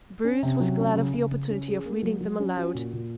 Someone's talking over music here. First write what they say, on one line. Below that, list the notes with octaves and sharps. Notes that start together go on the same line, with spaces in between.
Bruce was glad of the opportunity of reading them aloud.
C#4
C3
F#3
C#4
C#3
C#3
C#3
C#4
G#4
A#3
F#3
F#3
C#4
F#4
A#2
A#2